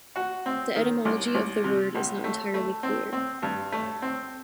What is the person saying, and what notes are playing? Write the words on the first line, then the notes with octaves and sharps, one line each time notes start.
The etymology of the word is not entirely clear.
F#4
C4
D#3
C2
C2
C3
A#1
A3
A3
C4
C4
G2
A3
C4